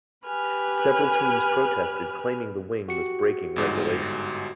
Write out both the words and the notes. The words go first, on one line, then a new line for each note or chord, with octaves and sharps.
Several teams protested claiming the wing was breaking regulations.
G4 B4 G#5 F6
F#4 G4 C#7
G1 G#2